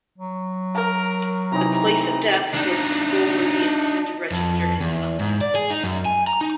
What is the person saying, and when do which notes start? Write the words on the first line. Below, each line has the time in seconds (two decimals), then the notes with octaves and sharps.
The place of death was the school where he intended to register his son.
0.18 F#3
0.75 A#4
1.52 C3 E3 D#4 A#5
2.54 D4 D#4
4.32 F2
4.80 E2
5.19 G#2
5.41 D5
5.55 G#4
5.70 D#4
5.84 F#2
6.05 G#5
6.27 A#5
6.41 D#4